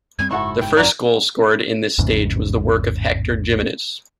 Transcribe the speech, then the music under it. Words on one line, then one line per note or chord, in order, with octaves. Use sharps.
The first goal scored in this stage was the work of Hector Gimenez.
F#2 G3 C4 G#6
F#1 G#2 E4 F#4 A4 C#6
G5
G#1 F#2 E3 F#3 A#4 D5 A#5
A1 E2 G#2 C#3